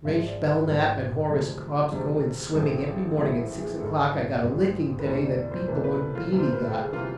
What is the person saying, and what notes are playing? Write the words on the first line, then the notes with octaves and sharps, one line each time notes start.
Rashe Belnap and Horris Cobbs go in swimming every morning at six o'clock. i got a licking today that beat the one Beany got.
G#1 G#2 F3 G#3 E5
D5
B4
G#1 G#2 F3 G#3 B4
D2 C3 F3 G#3
D2 C3 F3 G#3
A1 G#2 F3 G#3 A4
A1 G#2 F3 G#3 E4
G#4
G#1 G#2 G#3 A4
G#1 G#2 G#3
B4
E1 D2 C3 E3 C5
D5
D5
C5
E1 D2 C3 E3 B4
B4
A4
F4
D2 C3 E3
C5
B4
A4
G#4
C3 E3 F4